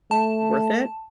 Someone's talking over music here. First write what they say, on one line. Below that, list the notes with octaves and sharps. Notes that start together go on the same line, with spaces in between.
worth it?
A3 A5